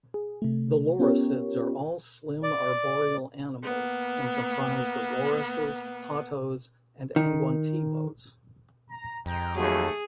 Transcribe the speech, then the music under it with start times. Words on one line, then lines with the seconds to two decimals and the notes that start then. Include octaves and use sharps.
The lorisids are all slim arboreal animals and comprise the lorises, pottos and angwantibos.
0.14 G#4
0.42 C3 A3
0.99 B3 C#4 F4 G4 A#4 C#5
2.43 D5
3.63 A#3 B3
7.16 D#3
8.90 A#5
9.26 F2 G#3 G5 A#5
9.56 D#2 F#3 A3 G#4